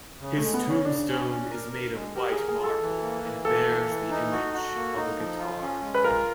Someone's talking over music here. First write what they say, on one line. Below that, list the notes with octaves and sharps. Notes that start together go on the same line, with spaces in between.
His tombstone is made of white marble and bears the image of a guitar.
C#3
A3
G#3
B3
C#3
C#4
C#3 D4
C#4
C#4
A#4
A#4
G#3
G4 A#4
G#4
A#4
G#4
F4 A4
E3
A#3
E3
A#3 A4
E3
E3
D#4
F#4
F#4
A#3
D#4
F3
F4
C#4
G#3
B4
F4 A#4